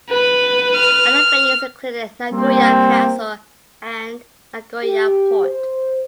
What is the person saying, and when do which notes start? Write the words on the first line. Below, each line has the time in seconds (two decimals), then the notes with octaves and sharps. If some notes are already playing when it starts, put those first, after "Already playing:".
Other venues included Nagoya Castle and Nagoya Port.
0.10 B4
0.74 F6
2.31 G3 A#3 C4
4.83 G4
5.44 C5